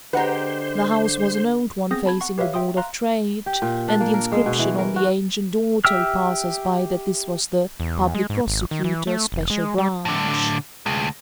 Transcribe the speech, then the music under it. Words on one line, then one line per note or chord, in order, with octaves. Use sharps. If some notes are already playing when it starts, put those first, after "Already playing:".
The house was an old one facing the Board of Trade and the inscription on the ancient door told passers-by that this was the "Public Prosecutor, Special Branch."
D3 G#3 G4 B4 C5 F#5 A#5
B3 C4 G#4 D#6 G6 A#6
A5 B5 G#6
F#5 C#6
G4 B4 C#5 E5 F5
E5 G5 C6 D#6
F5 A#5 C6 F#6
G4
A#2
D4
A#3
A#4
G#3
B2
E3
A#4
F#4
G4 E5 G5 E6 F6
E2
G#3
G#2
G#1
D#3
E3
A3
F1
G#3
G3
A2 D3
D2 G#3